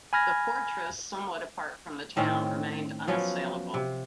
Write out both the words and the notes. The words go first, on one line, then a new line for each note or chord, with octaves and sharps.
The fortress, somewhat apart from the town, remained unassailable.
G#5 B5 F6 G#6 A#6
A2 D#3 C4 C#4
F3 F#3 B3 C#4
C3